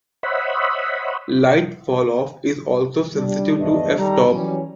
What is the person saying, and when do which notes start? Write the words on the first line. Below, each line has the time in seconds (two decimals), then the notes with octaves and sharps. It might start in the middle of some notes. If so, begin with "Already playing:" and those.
Light falloff is also sensitive to f-stop.
0.23 C5 C#5 D#5 E5 F#5 B5
3.15 G3 D4
3.59 E2 G2 A3 D4 B4 D#5
3.99 D#3 G3 A4 A#5
4.31 E3 F#3 G3 C#4